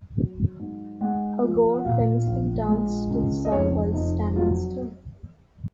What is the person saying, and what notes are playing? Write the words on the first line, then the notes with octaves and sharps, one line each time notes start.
Al Gore famously danced to the song while standing still.
F#3
G#2
G#3 F#5
F3
F#5
A#2 F5
A#1
G#3
C#2
D#5
F1 C#5
F1 D#4
F#3 F4